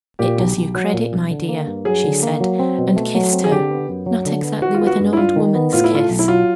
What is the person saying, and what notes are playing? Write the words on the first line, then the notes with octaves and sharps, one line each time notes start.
"It does you credit, my dear," she said, and kissed her, not exactly with an old woman's kiss.
A#2 G4
B1
B1
F#3
A#2
B1
D3
A#3
G2
F#3 G#4
D3
A#3
F#3
C4
B2
A3
F#3
C4
G#4
D3 G4
B3
F#2
F#3
D3
B3
D#3 F#4
F4
B3
F#4
G2
E4
G3 F4
D#3
B3
A2 F4
E4
A3 F4
B1
E4
F#3 F4